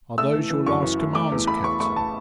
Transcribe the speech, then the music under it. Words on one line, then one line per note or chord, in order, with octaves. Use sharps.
"Are those your last commands, captain?"
A3 E6
E3
E3
F#2 C#6
E3
A3
A3 D6
E2
A3 B5
E2 C#6
A3 C#6
A5